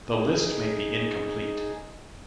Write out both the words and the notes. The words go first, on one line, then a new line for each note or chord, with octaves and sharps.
The list may be incomplete.
D#4 G#4